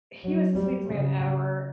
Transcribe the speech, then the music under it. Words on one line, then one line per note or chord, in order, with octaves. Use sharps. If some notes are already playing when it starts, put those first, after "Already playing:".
he was the sweetest man ever.
F#3
G3
C#3